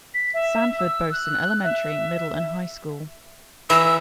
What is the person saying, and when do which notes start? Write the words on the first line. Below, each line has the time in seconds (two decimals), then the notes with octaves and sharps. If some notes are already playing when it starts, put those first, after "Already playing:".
Sanford boasts an elementary, middle and high school.
0.14 B6
0.34 E5
0.79 E6
1.12 F#6
1.64 E5
3.70 E3 A#5 E6